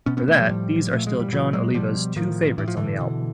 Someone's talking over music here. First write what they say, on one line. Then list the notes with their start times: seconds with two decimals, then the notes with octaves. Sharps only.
For that, these are still Jon Oliva's two favorites on the album.
0.06 B2 B3 C#4
0.17 B3 C#4
0.28 A3 B3
0.39 F3 G3
0.49 A2
0.91 A#2 A3
1.07 G#3
1.20 G3
1.32 A#2 E3 F#3
1.53 F#3 G#3
1.74 B2 F3 G3
2.16 A2 D#3 F3
2.58 A2 E3
2.68 F3
2.77 D3 E3
3.00 B2